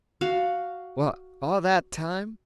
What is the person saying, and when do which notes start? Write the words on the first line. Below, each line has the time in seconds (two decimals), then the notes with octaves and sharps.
"What, all that time?"
0.21 F#4 F5